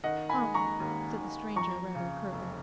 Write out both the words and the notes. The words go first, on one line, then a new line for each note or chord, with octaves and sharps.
'Often,' said the stranger rather curtly.
D#3 D#5 F#5
G#5 B5
G#3
A#5 C#6
D#2
D#2
F2 A#5 C#6
C#3
F1